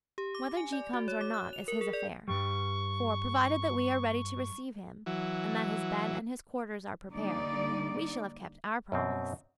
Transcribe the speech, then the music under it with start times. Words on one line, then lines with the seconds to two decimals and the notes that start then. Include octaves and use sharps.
Whether G. comes or not is his affair; for, provided that we are ready to receive him, and that his bed and his quarters are prepared, we shall have kept our promise.
0.18 G4
0.35 D6
0.57 G#5
0.73 D5
0.93 F#4
1.08 C#5
1.21 D6
1.34 F#6
1.53 F7
1.68 A#4
1.81 G#4
1.93 D5
2.28 G2 G3 C#6
5.06 E3 F#3
7.10 D3 G3 A#3 D#4 D5
8.92 F#2 B2 C4